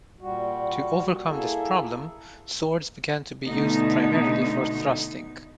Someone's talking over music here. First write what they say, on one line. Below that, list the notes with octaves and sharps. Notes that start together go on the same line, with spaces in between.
To overcome this problem, swords began to be used primarily for thrusting.
A#2 G3 F#4
A#3 E4 G#4 A4 E5
B2 D3 A3 B3 D#4